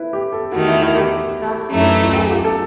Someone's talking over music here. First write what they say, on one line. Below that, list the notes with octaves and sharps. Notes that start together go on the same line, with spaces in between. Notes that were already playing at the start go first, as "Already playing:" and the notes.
That's news to me.
Already playing: E4 B4
G4
A4
E2 D#3 A3 F#4
E4
E4
G4
F#2 E3 A3 D#4
G4
A4